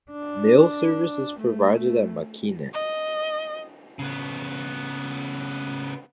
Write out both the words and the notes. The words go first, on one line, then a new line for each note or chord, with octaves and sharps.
Mail service is provided at Makinen.
D4
A3
D#5
C#3 B3